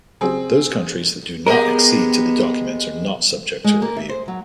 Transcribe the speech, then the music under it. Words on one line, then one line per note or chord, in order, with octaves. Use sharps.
Those countries that do not accede to the document are not subject to review.
C#3 F#3 G3 C4 G#4
G#3 B3 G4 A#4 D#5
G#3
A#3
E5
C5
F#3